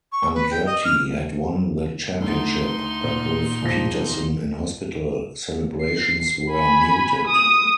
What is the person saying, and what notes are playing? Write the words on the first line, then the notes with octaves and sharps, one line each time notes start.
Andretti had won the championship, but with Peterson in hospital, celebrations were muted.
C#6
B4
G5
D#5
F6
D2 D#4 C6
A#2
E1 F3 A#6
C7
G#5 B5
D#6